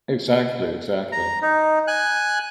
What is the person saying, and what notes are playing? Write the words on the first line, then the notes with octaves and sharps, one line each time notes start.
Exactly, exactly.
A#5
D#4
G#5 F#6